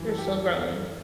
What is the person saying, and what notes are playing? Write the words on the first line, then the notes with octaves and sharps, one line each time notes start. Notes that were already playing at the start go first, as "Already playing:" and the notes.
They're still growing.
Already playing: F#2 E3
A4
G4
A4